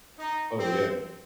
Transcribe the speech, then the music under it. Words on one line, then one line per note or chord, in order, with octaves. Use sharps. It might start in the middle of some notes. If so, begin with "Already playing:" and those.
Oh, yeah.
D#4
C4